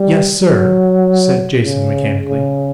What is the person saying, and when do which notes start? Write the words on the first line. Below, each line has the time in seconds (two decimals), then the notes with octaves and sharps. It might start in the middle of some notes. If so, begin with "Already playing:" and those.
"Yes, sir," said Jason mechanically.
Already playing: G3
0.37 F#3
1.63 C#3
2.26 C#3